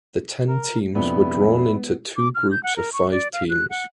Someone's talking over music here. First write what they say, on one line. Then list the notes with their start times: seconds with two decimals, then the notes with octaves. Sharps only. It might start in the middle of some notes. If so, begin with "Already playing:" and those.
The ten teams were drawn into two groups of five teams.
0.48 A#4
0.95 A#1 F2 C3 G3 B3 E4
2.17 D6
2.35 F6
2.51 G6
2.63 F#5
2.76 A#4
2.93 C#6
3.11 D5
3.33 F5
3.50 F#6
3.70 F#5